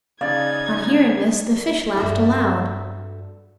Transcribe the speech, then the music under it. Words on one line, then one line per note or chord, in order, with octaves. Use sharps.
On hearing this the fish laughed aloud.
C#3 D#4 D5 F5 G#6 A6
G2 F#4 A4 E5